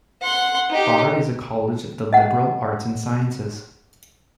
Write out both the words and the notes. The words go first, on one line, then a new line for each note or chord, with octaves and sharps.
Bard is a college of the liberal arts and sciences.
F#5 C6
D#4 G4
D#5 F#5